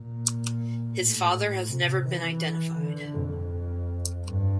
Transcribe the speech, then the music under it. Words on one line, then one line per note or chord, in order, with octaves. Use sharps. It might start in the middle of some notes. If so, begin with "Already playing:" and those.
His father has never been identified.
Already playing: A#2
A2
C3
E3
D3
F2
G2